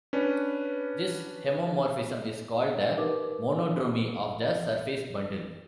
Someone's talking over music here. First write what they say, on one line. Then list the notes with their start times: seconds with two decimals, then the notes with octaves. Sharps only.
This homeomorphism is called the monodromy of the surface bundle.
0.13 C#4 D4 B4
2.98 D#4 G4 A#4 B4 D6